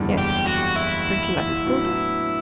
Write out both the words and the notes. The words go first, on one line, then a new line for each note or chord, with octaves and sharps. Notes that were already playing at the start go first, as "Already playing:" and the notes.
"Yes; don't you like this quarter?"
Already playing: F#1 E2 D3 G3
G4
F#4
E4
A2 F#3 B3 D4 F#4